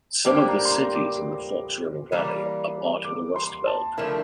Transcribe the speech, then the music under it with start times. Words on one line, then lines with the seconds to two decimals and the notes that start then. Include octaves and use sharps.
Some of cities in the Fox River Valley are part of the Rust Belt.
0.25 A2 G3 A#3 D4 G4 C5
0.48 A#5
0.65 C6
0.72 A#5
0.95 D6
2.12 E3 G3 A#3
3.05 D6
3.36 C6
3.67 A5
3.98 D3 F3 A3 E4 A#4